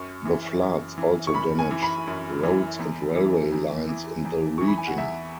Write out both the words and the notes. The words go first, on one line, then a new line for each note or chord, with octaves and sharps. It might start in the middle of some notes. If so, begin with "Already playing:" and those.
The floods also damaged roads and railway lines in the region.
Already playing: F#2 C#6
E3
F#2
E3
C#6
F#2 B5
G#5
E3
B5
F#2
E3
E2
E3
E2
E3
E2
E3 C#6
B5
G#5
F#5
E2 E5